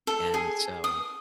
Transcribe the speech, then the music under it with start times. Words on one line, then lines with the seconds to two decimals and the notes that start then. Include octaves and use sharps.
And so
0.07 A4
0.34 G#4
0.84 D#6